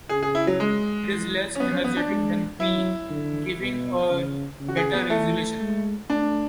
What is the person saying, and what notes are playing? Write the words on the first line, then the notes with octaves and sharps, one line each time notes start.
It is less energetic than P, giving a better resolution.
C#3 G#4
G#4
E4
F#3
G#3
E3
C#4
F#3 B3
C#4
B3
D4
G#3
F#3 E4
D3
B2
C#3
C#3
F#4
G#4
B3
E3 A3
G#3
A3 D4